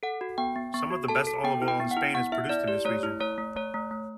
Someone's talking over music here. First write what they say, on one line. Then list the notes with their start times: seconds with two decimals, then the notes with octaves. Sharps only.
Some of the best olive oil in Spain is produced in this region.
0.03 A4 F#5
0.21 F#4
0.38 B3 G5
0.56 B3
0.74 B3 C#6
0.91 F#4
1.08 A4 A5
1.27 A4
1.44 B3 G5
1.62 E4
1.68 G5
1.80 B3
1.91 F#5
1.97 E4
2.14 B3 F#5
2.32 E4 E5
2.49 E4 D5
2.68 G4 D5
2.85 A3 C#5
3.03 E4
3.20 A3 C#5
3.38 A3
3.56 A3 C#5
3.74 A3
3.91 A3